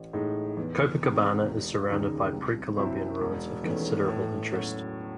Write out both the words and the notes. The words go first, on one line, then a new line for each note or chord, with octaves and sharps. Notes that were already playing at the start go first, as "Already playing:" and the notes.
Copacabana is surrounded by pre-Columbian ruins of considerable interest.
Already playing: A1
A2 G#3 D#4
E2
C3 D#3 G#3
E1
D#2 C#3 G#3 D#4
C2
C3 F#3 C4 E4
E1
E2 D#3 A3 C#4
A2
F#3 C#4 F#4